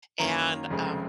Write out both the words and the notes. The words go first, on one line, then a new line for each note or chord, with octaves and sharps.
and, um,
F#2 D#3 A#3 C#4 A#5
F1 F2 C#3 G#3 C4